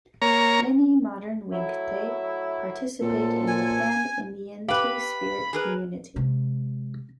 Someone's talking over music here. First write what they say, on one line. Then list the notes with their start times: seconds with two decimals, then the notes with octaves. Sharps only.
Many modern "winkte" participate in the pan-Indian Two-Spirit community.
0.22 A#3 C#5 A#5
1.52 F#3 A3 E4
3.02 F#2 A#2 F3 A4
3.47 G#5
4.68 G4 B4 F5 B5
5.53 G#4 A#4 B4
6.16 C3 G#3